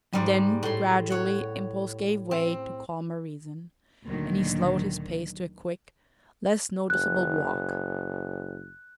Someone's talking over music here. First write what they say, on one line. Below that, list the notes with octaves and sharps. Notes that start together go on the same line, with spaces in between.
And then gradually impulse gave way to calmer reason, and he slowed his pace to a quick, less noticeable walk.
G#2 G3
A2 C6
C#5 F#5
C4
D2 A#2 D3 D#3 F#3
F#1 F#6